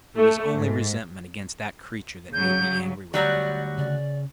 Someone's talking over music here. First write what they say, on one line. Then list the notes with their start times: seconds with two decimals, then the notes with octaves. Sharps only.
It was only resentment against that creature that made me angry with him.
0.17 A3
0.54 G#2
2.33 C#3 F#3 G6
3.14 D2 F#3 G3 F#4 D5
3.78 C#3 D5